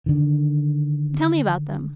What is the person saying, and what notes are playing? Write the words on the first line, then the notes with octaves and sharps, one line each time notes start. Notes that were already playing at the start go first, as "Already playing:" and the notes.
"Tell me about them."
D3 D#3